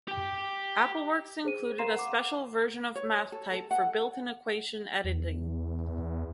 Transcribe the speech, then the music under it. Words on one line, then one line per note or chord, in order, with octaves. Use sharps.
AppleWorks included a special version of MathType for built-in equation editing.
G4 G5
G#4 C5 D#7
A#4 F5 A#5 C6 C7 E7
F#5 D6
C#5
A4
A4
F#5
E2